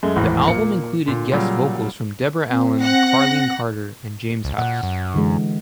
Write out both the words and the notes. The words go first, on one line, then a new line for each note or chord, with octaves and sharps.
The album included guest vocals from Deborah Allen, Carlene Carter, and James House.
F#2 G#3 A3
G#1 E2 A2
A#2 A#3 C#7
A#2 D3
A#2 C#3 F#3 G3
C4
F#5 A#6
C#2
A#2 F#5
F#2
D3 E3 G#3